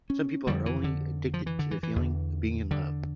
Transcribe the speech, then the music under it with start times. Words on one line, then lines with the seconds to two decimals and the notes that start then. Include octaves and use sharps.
Some people are only addicted to the feeling of being in love.
0.10 C#4
0.47 F2 D3 G3
0.66 E3
0.84 D3
1.34 F3
1.46 E3
1.59 D3
1.71 E3
1.83 E3
1.96 E2 D3
2.71 D3